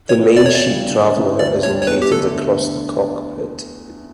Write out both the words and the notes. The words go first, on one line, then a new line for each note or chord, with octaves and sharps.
The mainsheet traveller is located across the cockpit.
C#5
E3 B3
D5
E2 C#5
D5
C#3 G3
D3
A3 C#4 E4 B4
D2 D5
D3 G3 D4 C#5
C#5
E2 B4
G4
D3 A3 D4 A4